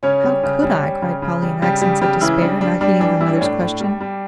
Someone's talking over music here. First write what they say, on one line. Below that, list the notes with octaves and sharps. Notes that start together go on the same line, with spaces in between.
"How could I!" cried Polly, in accents of despair, not heeding her mother's question.
C#3 C#4 C#5
G3
C#3
G3
G3
C#3
C#3
G3
C#3 G3 G4
C#3 G3 G4
C#3 G3 G4
C#3 E3 E4
G3 D4
G3 D4
G3 D4
E3 D4
G3 E4
D4
C#4
A2 D4
A2
G3
G3